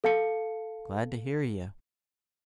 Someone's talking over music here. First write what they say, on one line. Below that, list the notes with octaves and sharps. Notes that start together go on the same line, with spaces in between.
Glad to hear you!
A4 F5 A5 C#7